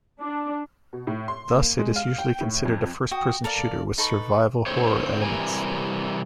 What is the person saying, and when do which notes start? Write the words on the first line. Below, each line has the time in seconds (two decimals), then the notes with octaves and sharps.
Thus, it is usually considered a first-person shooter with survival horror elements.
0.21 D4
0.93 B2
1.07 A2
1.28 C6
1.54 A#3
1.79 G#3
1.96 F5
2.18 G5
2.41 A2
2.65 F2
3.11 F#4 G5 D#6
3.44 A4 A#4 D5 F5
3.98 D#4 A4 B4 C#6
4.66 A2 D3 C4 C5 C#5
5.23 C3 E3 G3 A#4 G#5